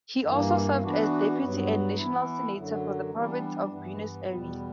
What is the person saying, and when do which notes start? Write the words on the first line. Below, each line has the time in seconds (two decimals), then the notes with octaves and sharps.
He also served as deputy and national senator for the Province of Buenos Aires.
0.23 G2 E3 A#3
0.81 E3 B3 D4 F#4
1.38 G2 F#3 B3
1.95 E3 B3 E4
2.52 F#2 D3 F#3
3.10 E3 G3 B3 D4
3.67 G2 E3 B3
4.25 E2 B2 G3 B3